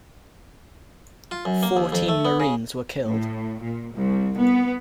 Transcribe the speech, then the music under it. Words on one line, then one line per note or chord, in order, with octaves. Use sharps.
Fourteen Marines were killed.
F4
F#2
A#3
D#2
F2
A3
B3
C#3
A2
A#2
C2
B3